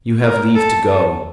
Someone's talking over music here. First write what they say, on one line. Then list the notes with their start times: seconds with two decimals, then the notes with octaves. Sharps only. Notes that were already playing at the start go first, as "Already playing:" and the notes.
You have leave to go....
0.23 A#4
0.55 A4
0.85 A4